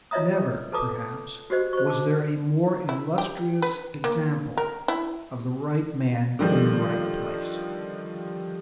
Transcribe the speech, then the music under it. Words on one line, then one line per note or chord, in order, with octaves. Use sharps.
Never, perhaps, was there a more illustrious example of the right man in the right place.
F4 C#5 D#5 E5 A#5 D#6
A4 B4 A5 A#5 D6 D#6
F#4 G4 C5 D#5
C5 C#6
A5 D6
E4
G4
B4
A#3
A#4
E4
D3 D#3 F3 G3